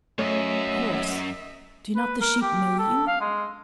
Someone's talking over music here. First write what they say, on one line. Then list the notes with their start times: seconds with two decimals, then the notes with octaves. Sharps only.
"Of course; do not the sheep know you?"
0.18 F#2 A3 C#5 D#5 E5
1.96 B4
2.21 A#4
2.41 G4
2.79 A4
3.07 F5
3.20 G#3